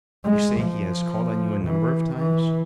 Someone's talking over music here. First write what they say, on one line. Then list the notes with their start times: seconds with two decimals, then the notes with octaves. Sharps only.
"You say he has called on you a number of times?"
0.25 G#3
0.60 F3
1.65 E3
2.16 E3